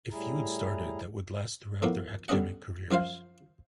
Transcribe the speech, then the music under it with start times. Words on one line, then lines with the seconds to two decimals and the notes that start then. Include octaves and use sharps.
A feud started that would last throughout their academic careers.
0.11 A2 G3 E4 G#4 A#5
1.82 A2 F3 A#3 B3
2.28 D3 G3 B3 C#4 D#5 F#5
2.91 F#2 F3 F4 C5 F5